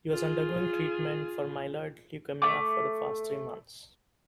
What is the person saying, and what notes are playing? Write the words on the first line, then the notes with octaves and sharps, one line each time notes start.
He was undergoing treatment for myeloid leukaemia for the past three months.
F4 G#4
A3 D6